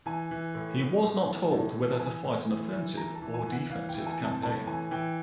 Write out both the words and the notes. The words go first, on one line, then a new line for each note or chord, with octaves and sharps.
He was not told whether to fight an offensive or defensive campaign.
E3 G#5
E3
A2
A2
A2
E3
A2 A5
E3
A5
E3 G#5
A2
E3
E3
E3 A#5
A5
E3
G#5
E3
F#5
E3 F5
G5
E3
G#5
C3
A5
A2 A5
E3 G#5
E3 G5